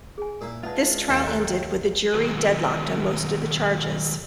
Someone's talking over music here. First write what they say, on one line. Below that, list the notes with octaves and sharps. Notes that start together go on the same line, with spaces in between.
This trial ended with a jury deadlocked on most of the charges.
G#4 G#5
A#2 A#3 E4
G#3 B3 F4 E5 F#5 A5
D#2 A4
A3 G5 A#5 F#6
B2 D#3 F#3 G#3 F#4 B4